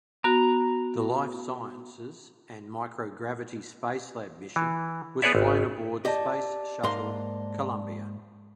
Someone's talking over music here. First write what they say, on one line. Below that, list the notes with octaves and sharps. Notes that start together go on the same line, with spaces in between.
The Life Sciences and Microgravity Spacelab mission was flown aboard Space Shuttle "Columbia".
B3 F#4 A#5
E3
B3 G#4 B4 C#5 D5 E5
G#1
G4 D5 D#5 A5
G#2 A#3 C6